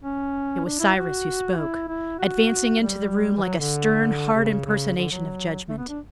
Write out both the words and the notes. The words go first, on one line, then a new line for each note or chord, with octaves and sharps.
It was Cyrus who spoke, advancing into the room like a stern, hard impersonation of judgment.
C#4
D4
E4
F#4
E4
E4
F#4
G3
E3
F#3
D3
C#3
C#3
D3
F#3
A3
B3
D4